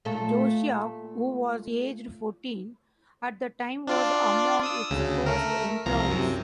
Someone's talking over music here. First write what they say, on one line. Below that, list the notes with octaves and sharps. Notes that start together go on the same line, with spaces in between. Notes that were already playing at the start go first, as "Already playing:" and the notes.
Josiah, who was aged fourteen at the time was among its first employees.
A#2 A3 A4
D4 F4 D5
D#6 E6
D2 C#3
A3 A#4
C2 F3 A#5
F#2 C3